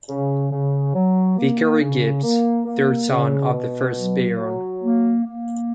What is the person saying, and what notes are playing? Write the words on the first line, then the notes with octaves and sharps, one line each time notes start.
Vicary Gibbs, third son of the first Baron.
C#3
C#3
F#3
A#3
C#3
A#3
A#3
C#3
B2
F#3
F#3
A#3
A#3